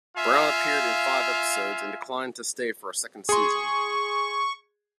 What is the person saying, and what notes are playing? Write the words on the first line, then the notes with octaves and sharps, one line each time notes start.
Brown appeared in five episodes and declined to stay for a second season.
F4 E5 F5 G#5
G#4 C6 C#6